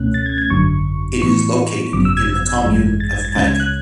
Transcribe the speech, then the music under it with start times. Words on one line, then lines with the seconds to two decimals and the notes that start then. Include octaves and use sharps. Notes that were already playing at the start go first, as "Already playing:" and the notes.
It is located in the Commune of Pica.
Already playing: C#2 B2 A3 C#4 F#6
0.14 A6
0.26 G#6
0.38 G#6
0.50 G#1 F#2 D3 F#3 C#6
1.22 A2 E3 B3 C#6
1.93 G#1 F#2 C#3 F#3 B3 D6
2.05 E6
2.17 G#6
2.29 G#6
2.65 G#1 F#2 E3 G#3
3.00 A6
3.13 G#6
3.25 A6
3.35 C#2 C#3 G#3 C#4 A6
3.48 G#6
3.60 F#6